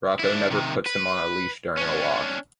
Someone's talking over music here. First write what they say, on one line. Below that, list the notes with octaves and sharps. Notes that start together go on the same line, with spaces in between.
Rocko never puts him on a leash during a walk.
D4 E4
C3 D#3
B4
C#4 D4